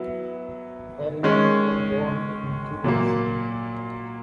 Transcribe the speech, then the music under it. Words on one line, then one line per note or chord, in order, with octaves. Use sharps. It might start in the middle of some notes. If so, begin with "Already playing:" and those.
Parent was born in Quebec City.
Already playing: F#3 B3 E4
D#3 G#3 C#4
A#2 F#3 A#3